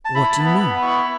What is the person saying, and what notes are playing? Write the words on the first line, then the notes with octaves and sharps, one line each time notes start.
"What do you mean?"
A5
E4 B5
A5
B3
B5
B3 B5
E4 C#6